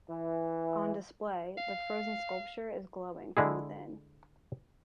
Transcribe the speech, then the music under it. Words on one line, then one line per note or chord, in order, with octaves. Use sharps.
On display, the frozen sculpture is glowing from within.
E3
F5
D3 G#3 E4 G#4